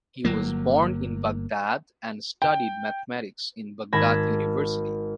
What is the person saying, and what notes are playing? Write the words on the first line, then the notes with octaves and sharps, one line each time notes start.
He was born in Baghdad and studied mathematics in Baghdad University.
G1 F#3 A#3
G5
G#1 A5 B5 G#6 A#6